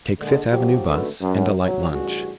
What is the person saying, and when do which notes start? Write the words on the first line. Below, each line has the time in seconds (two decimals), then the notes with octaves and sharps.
Take Fifth Avenue bus, and a light lunch.
0.20 A#2 D3 G#3
0.51 D#2 F3 F#3 G4
0.88 G#1 F#2 D3 A3 F#4 B4
1.21 F#2
1.61 F#3
1.92 A1 G2 C#3 G3 F#4 G#4